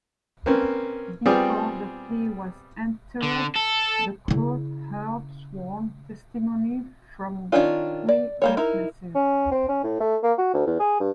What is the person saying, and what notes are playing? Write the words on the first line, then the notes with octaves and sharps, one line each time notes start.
Before the plea was entered, the court heard sworn testimony from three witnesses.
A#3 C4 C#4 B4
G3 B3 C4 F4 G4 G#4
D3
A4
C#3 E4
D#3 B3 C#4 D4 F4
D5
G3 A#3 C#5
D#4 E4 A#4
C#4
C4
C#4
A2
A3
A#3
F#4
D2
E2
G#4
G2